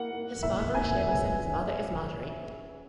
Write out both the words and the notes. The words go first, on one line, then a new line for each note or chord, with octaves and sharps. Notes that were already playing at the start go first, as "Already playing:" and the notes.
His father is Seamus and his mother is Marjorie.
Already playing: A#3 E4 A#4 F#5
A#3 E4 A#4
A#3 E4 A#4 E5
A#3 E4 A#4 G#5
F#3 C#4 G#4 B4